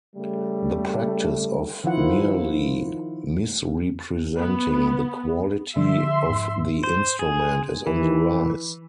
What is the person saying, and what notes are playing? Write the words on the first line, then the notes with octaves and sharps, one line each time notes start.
The practice of merely misrepresenting the quality of the instrument is on the rise.
C#3 G3 A3
D#3 F3 E4 F4 F#5
B3
D3 F3 E5 C6
G#2
C5
G#4
E3